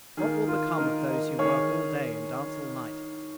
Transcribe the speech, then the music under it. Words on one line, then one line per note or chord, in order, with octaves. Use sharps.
What will become of those who work all day and dance all night?
D#3 A#3 G#4
F4 A#4
D#3 A#3 A#4 D#5
A#4 D#5
D#3 A#3 G#4 C#5